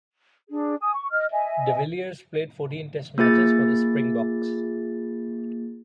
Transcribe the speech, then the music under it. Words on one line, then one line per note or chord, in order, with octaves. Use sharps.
De Villiers played fourteen test matches for the Springboks.
D4 G#4
G#5 D#6
C#6
D#5 F6
D#5 E5 G#5
A#3 F4 G#4 A6